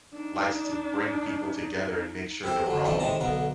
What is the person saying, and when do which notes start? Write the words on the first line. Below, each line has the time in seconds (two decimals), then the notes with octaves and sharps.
likes to bring people together and make sure that we're all
0.14 D4 D#4
2.43 C4 E4 G4 A4
2.66 D3 F#3
2.84 B1 F2 D#3 E3 C#4 D5
2.99 A2 C3 D#3 G#3 A5 A#5
3.21 B1 D3 B3 A#4